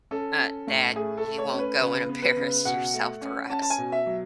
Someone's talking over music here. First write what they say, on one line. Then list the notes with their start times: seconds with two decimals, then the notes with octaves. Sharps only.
uh, that you won't go and embarrass yourself for us
0.11 C#4 A4
0.39 C#4
0.67 A2
0.96 A3 G#4
1.17 A4
1.24 A3
1.38 C#5
1.53 C#4
1.59 B4
1.81 C#3 B4
2.09 B3
2.22 B4
2.37 C#3
2.65 B2 F#5
2.93 A3
3.21 C#4
3.50 C#4 A5
3.62 A5
3.70 G#5
3.78 B2
3.92 E5
4.06 F#3